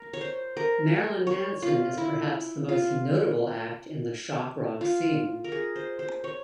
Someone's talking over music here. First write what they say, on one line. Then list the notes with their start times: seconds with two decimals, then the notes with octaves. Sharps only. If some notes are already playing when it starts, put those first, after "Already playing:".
Marilyn Manson is perhaps the most notable act in the shock rock scene.
Already playing: A#4
0.13 C#5
0.21 C5
0.57 A#4
1.27 C#5
1.62 F4
1.98 E4
2.69 F4
4.81 F4
5.44 A#4
5.52 G#4
5.76 C5
5.99 C5
6.24 C#5